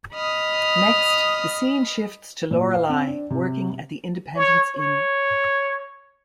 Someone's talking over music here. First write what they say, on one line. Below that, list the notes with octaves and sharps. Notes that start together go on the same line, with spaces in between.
Next, the scene shifts to Lorelai working at the Independence Inn.
D#5 B5 D#6 F6
A#2
F5
C4
D4
C3
C#5
C#5